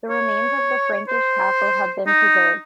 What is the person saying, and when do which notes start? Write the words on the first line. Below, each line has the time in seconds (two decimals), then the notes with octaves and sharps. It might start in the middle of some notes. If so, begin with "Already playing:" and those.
The remains of the Frankish castle have been preserved.
0.10 C#5
1.08 C5
2.07 D#4